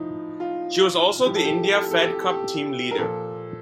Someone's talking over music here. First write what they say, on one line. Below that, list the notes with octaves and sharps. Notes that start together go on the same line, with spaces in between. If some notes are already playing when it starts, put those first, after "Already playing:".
She was also the India Fed Cup Team leader.
Already playing: A2 F3 D#4
F4
A2 F3 G4
A4
G4
A4
G4
A4
G4
A4
G4
G4
A4
G4
A#4
A#2 F3 A4